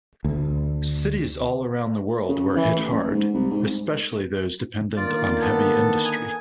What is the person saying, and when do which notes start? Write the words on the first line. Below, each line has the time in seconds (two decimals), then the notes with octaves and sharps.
Cities all around the world were hit hard, especially those dependent on heavy industry.
0.24 D2
2.28 C#3
2.56 E3
2.77 A1
2.91 F#1
3.11 G#2
3.34 C2
3.51 G#2
4.97 D3 D#3 A#3 F4 D5
5.41 B3 A4
6.05 G#5 D#6